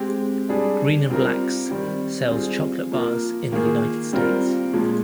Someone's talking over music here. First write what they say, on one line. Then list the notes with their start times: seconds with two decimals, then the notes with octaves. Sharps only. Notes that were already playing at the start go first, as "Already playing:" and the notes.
Green and Black's sells chocolate bars in the United States.
Already playing: G#3 C4 G4
0.49 G3 D4 G#4
1.10 G3 C4 F4 A#4
1.70 D#3 G3 C4
2.30 G3 C4 F4 G#4
2.91 F3 A#3 F4 A#4
3.52 D#3 A#3 F4 G#4
4.13 G3 C4 F4 A#4
4.73 A#2 F3 G#3